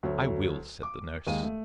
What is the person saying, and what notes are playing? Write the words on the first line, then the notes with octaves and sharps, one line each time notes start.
"I will," said the nurse.
D2 F#3 A4 C#5
D6
D#2 G#3 F5 D#7
A3